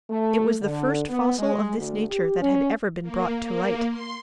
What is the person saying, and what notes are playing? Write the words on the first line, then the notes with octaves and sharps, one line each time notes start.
It was the first fossil of this nature that had ever been brought to light.
A3
D3
B3
G#3
D2
G4
C#4
A#3
A#3
C6